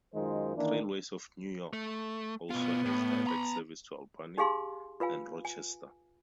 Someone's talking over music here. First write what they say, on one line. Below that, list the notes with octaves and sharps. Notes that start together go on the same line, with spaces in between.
Trailways of New York also has direct service to Albany and Rochester.
F#2 D#3 G#3 F4 C5
D#3 E3 A#3 D4
A3
B2 B3 F4
A2
A#5 B5
D#4 G4 G#4 F5 G#5 C6
F4 B4 F5 G#5
G#5